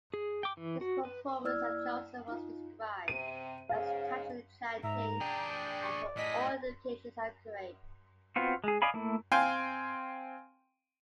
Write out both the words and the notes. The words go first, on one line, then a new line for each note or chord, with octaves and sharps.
His performance as Jolson was described as "touching, enchanting, and to all indications, accurate".
G#4
G5 D6
E3
F#4
B4
A#3 E4 D5 E6 F6 G#6
D#4 F4
C3 D#7
G#2 C#3 G#4 F5
G#2 E5 A#5
D4 G#4 D5 G5
C#6
A2 G#4 D#5 B6
B3 C4 F4 F#4
G#3 G#4
D5 D#5 F5 G#5 B5
A3 A#3 E4
C4 F5 G5 G#5 C6